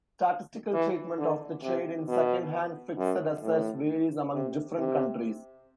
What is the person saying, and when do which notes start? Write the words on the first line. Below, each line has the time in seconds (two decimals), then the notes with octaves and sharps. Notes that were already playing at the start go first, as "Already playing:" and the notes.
Statistical treatment of the trade in second-hand fixed assets varies among different countries.
0.73 E3
1.18 D3
1.63 C3
2.08 B2
2.98 F#2
3.43 A2
4.33 C3
4.78 C3